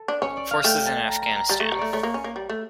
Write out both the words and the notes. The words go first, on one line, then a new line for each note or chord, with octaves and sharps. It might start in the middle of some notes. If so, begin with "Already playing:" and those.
Forces in Afghanistan.
Already playing: A4
D4
C#4 C#5
D5
F5
A3 G5
A5
A#5
A#5
A#5
G3 A5
A3 A#5 C#6
G3
A3 D5
A3 C#5
A#3
C#4
A#3
G3
A3